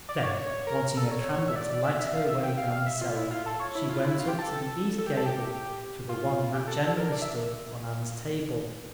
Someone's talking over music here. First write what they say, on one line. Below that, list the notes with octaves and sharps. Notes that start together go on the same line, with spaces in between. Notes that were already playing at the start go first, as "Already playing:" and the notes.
Then, wanting a candle to light her way down the cellar, she went up to the east gable for the one that generally stood on Anne's table.
D5
C#5
C#5
A#4
A4
C#5
E5
D5
D5
E5
E5
F5
E5
G5
F5
F5
E5
F4
E4
F4
A4
C#5
E4
F4
E4
F4
G4
A4
A4
G4
A4
G4
F4
G4
A4
A4
A#4
D5
E5